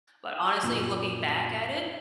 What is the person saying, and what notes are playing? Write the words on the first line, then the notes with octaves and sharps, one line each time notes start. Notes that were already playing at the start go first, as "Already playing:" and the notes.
but honestly, looking back at it
F#2 A#2